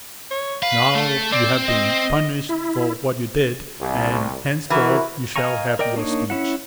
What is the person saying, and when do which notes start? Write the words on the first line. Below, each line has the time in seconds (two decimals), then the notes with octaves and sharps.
Now you have been punished for what you did, and henceforth you shall have your speech.'
0.31 C#5
0.63 B4 F5
0.95 A3
1.32 C4 D5
1.68 D#5
2.49 E4
3.80 C2
4.70 E3 E4 F#4 A#4
5.36 D#5 F5 G#5 A#5 C#6
5.79 A#4 D5 D#5 G5
5.96 A#3 D4 D#4 C#5
6.30 C#4 E4 F#5